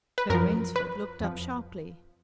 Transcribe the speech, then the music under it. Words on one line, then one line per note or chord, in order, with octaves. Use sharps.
Ben Rainsford looked up sharply.
B4
F#2 F3 A#4
B4
F2 F3